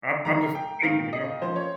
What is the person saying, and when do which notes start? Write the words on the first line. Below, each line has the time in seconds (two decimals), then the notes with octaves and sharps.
I'm I'm just thinking, you know?
0.25 F2 D#3 G3 A#3 D#4 A#5
0.55 G5
0.83 G#2 D#3 A#3 D#4 A#4 F5
1.13 D#5
1.42 F3 A#3 C#4 C5
1.56 C#5